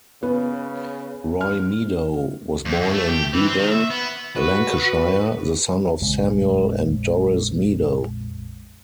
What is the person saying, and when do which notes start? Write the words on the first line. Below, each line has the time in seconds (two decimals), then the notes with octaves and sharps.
Roy Meadow was born in Wigan, Lancashire, the son of Samuel and Doris Meadow.
0.23 C#3 B3
1.41 F6
2.65 F2
2.81 F#2
2.93 A3
3.08 G4
3.33 E3
3.47 C4
3.59 D#3
3.72 E5
3.90 B3
4.36 F#4 B4
6.01 A#1 F2 C#3 G#3